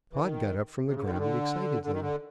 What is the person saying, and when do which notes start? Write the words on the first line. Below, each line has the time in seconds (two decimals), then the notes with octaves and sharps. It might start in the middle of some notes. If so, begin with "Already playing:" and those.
Pod got up from the ground excitedly.
0.13 E3
0.21 D#3
0.86 C3
0.94 C#3
1.02 D3
1.09 D#3
1.18 D3
1.83 D3
1.92 D#3
2.01 D3